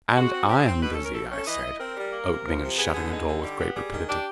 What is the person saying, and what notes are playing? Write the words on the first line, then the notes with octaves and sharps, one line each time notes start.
"And I'm busy," I said, opening and shutting a drawer with great rapidity.
G#3 F#4
C4
C4 G4
G#4
C4
B2 B4
A4
C#4
A#4
B2 A4
C#4 A4
E3 D#5
E4
C4 A#4
G3
A#3
C3
F3
C3
B3 G#4
D3 G#4
D#4 G#4
D3
G3 G4
B3
G3 G#4
D#3
D4 G4